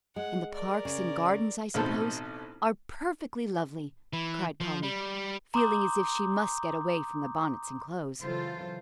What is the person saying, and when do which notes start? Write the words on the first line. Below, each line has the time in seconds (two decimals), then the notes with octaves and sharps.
"And the parks and gardens, I suppose, are perfectly lovely," cried Polly, feeling as if she must get away from the bonnets and clothes.
0.16 G#3 F#5
0.54 A#4 D5
0.85 C#3
1.74 A1 B2 C4 D#4 A4 C5
4.13 E3
4.60 F3
4.83 G3
5.54 A#5 C6 D6 D#6 G6
8.21 C#3 E3 F#3 F4 A4 C5